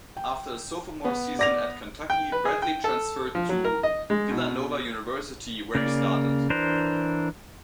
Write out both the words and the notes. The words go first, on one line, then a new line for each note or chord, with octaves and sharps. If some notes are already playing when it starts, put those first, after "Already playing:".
After his sophomore season at Kentucky, Bradley transferred to Villanova University where he started.
G5
B3
D5 A#6 F7
G5
B4
G#4
G5
A4
F3
F#3
A#4
D#5
G#3
B2
C#3 A#3 D5
E3 D4 A#4 C5